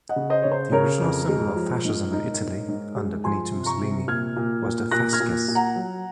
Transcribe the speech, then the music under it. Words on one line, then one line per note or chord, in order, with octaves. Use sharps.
The original symbol of fascism, in Italy under Benito Mussolini, was the fasces.
D#5 F#5
C#3
C5 D#5
C#3 C#5
C5
C#3 A#4 C#5
F2
G#3
F3
G#2
D#4
G#2
G#2
G#3
F3 G#5 C6
C3
A#5 C#6
C3
A#2 F6 G#6
A#2
A#2
A#2 F#6 A#6
F6 G#6
A#2
A#2
F#5 A#5
F#3